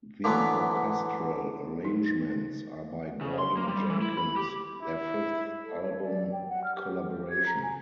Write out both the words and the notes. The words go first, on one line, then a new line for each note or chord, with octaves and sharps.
The orchestral arrangements are by Gordon Jenkins, their fifth album collaboration.
D3 E3 F#3 A3 B3
D#4
C#3
C6
A#3
G3
E3
E4
B5
G4
E4
A4
C#5
D5
G5
F#5
F6
G4
G4
G#6
A#5
G#5